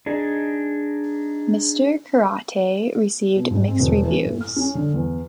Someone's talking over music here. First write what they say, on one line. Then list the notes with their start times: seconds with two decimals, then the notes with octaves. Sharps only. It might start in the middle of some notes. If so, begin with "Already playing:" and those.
Mr. Karate received mixed reviews.
0.06 D4 D#4 G#4
3.36 B2
3.51 G#2
3.67 C4
3.80 E1
4.03 E3
4.25 A2
4.41 F6
4.56 C#4
4.75 D3
4.94 E2